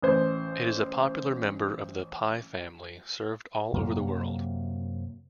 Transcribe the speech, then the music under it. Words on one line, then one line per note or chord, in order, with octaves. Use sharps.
It is a popular member of the pie family served all over the world.
A1 C5
F#2 C3 F#3 A#3